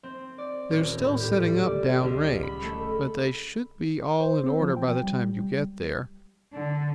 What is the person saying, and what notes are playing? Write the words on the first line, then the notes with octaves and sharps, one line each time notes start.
They're still setting up down range but they should be all in order by the time you get there.
C4
D5
D#1
A2
G4
G3
D5
C#2
B5
A3
C5
C4
F3
G5
G3
D3